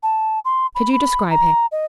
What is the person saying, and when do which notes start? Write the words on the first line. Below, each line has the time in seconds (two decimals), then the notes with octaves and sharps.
Could you describe him?
0.03 A5
0.45 C6
0.75 B5
0.93 B5
1.30 A#5
1.72 D#5